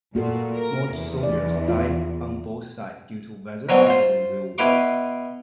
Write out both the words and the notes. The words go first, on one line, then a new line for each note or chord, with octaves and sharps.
More soldiers died on both sides due to weather, rather than real war.
A#2 A#3 F#4 A4
A#4
E2
D5
F4
G#2 B2 D3 F#3 C4
F4 C5
B2 E4 B4 F5 C6 D6